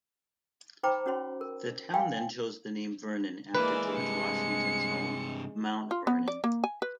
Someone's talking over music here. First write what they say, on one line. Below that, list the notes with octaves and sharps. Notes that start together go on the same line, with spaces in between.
The town then chose the name Vernon, after George Washington's home, Mount Vernon.
D#4 C5 G5 A#5 B5 D6
C#4 F#4 C#5 C6
A#4
F5 G5 G#5 C6
E3 G#3 A#3 B4 D5
G2 C3 C#7
F4
B3
D5
A#3
G#5
B4